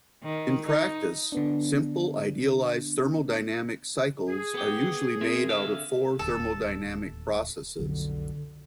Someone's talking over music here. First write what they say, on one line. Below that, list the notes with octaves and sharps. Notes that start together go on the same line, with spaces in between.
In practice, simple idealized thermodynamic cycles are usually made out of four thermodynamic processes.
D#3
D#4
D3 B3 D4
G#4
B3 G4
C4 A#4 E5
D3 E5 F5
D1 D#2 A4
B1 F2 D3 F#3